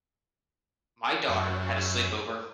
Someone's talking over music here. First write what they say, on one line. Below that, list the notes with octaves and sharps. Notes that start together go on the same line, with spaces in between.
My daughter had a sleepover.
F#2